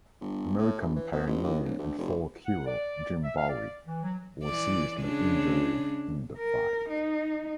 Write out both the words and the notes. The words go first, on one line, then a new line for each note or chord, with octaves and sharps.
American pioneer and folk hero Jim Bowie was seriously injured in the fight.
G1
A2
A#1
E3
B2
A1
D#2
D1
D2
F1
F#5
D5
E5
F5
D5
E3
F#3
E3 D5
C#3 G#3 D4
A#4
D#4